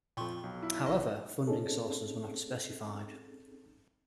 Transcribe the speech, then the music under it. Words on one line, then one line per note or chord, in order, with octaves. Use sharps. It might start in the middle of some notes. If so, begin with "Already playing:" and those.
However, funding sources were not specified.
F2 A#2 F4 G5 C6 C#6
B1
E4
A#1 D#5
C4 C#4 D#4 G#4 A4